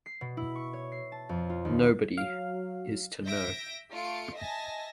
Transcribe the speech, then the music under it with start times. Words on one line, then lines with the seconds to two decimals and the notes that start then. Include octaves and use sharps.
Nobody is to know.
0.06 C7
0.21 B2
0.37 E4
0.56 C#6
0.73 C#5
0.92 C7
1.12 A5
1.29 F2
1.49 F4
1.65 D#2
2.17 F#3 F5
3.27 E5 G6 A#6 D7
3.92 A3 F4 C6 C#7 D7
4.36 D#5 E5 G#5 A5 A#6